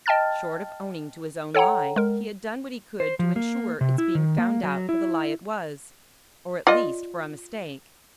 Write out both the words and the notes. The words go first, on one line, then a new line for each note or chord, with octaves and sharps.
Short of owning to his own lie, he had done what he could to insure its being found out for the lie it was--or, at least, for a mistake.
D#5 G5 A5 F6 A6
A4 C#5 F#5 G5 A#5
G#3 A#4
C5
F3
A#3
C3
E4
D#3
A#3
F#3
E4
F4 D5 D#5